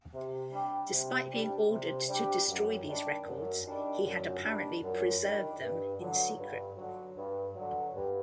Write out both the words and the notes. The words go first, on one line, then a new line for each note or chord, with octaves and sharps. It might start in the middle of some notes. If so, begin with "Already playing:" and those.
Despite being ordered to destroy these records, he had apparently preserved them in secret.
C3
G3 D4 G4
C3
G3 D4 G4
C3
G3 D4 G4
F#2
D#3 G3 D4
F#2
D#3 G3 D4
F#2
D#3 G3 D4
F#2
D#3 G3 D4
G2
D3 F#3
G2
D3 F#3
G2
D3 F#3
G2